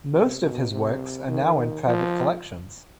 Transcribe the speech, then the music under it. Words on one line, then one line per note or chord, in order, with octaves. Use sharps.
Most of his works are now in private collections.
C3
B2
C3
D#3
F3